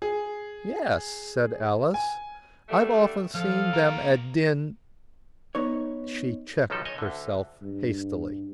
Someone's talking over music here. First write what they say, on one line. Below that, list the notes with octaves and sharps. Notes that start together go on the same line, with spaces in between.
'Yes,' said Alice, 'I've often seen them at dinn--' she checked herself hastily.
G#4
G#5
D3 G3 A3
F3 A4 F5
B3 A#5
B3 D#4 C#5
B1 D#3 F3 G3 D#4 A4
C#5 D#5 G#5
D2 D3
G2